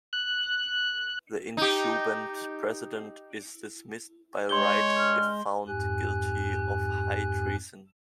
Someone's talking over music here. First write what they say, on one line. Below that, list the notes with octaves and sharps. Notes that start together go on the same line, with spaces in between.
The incumbent President is dismissed by right if found guilty of high treason.
F#6
D#4 G4
G#3 C#5 C6 G6 G7
G2 F6
F2 G#2 G4 G#5 F#6